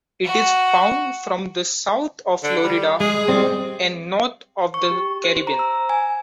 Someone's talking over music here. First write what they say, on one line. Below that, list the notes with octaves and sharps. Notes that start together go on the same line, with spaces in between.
It is found from the south of Florida and north of the Caribbean.
F#4
D3
G3
G#3 G#4
G3 C4
C#6
G4
C5
A#5
E6
G#5